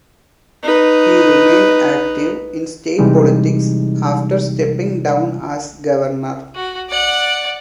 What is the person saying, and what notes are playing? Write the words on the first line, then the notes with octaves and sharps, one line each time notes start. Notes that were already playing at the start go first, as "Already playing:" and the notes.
He remained active in state politics after stepping down as governor.
D#4 B4
C3 E3 G3 G#3 D#4
F#4
D5 F#5